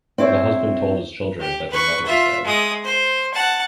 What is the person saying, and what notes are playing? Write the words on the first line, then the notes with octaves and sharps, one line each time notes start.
The husband told his children that their mother was dead.
C4 E4 C5 C#5
G4
B4 C#6
F4 E5
G#3 D#6
C5
F#5 A5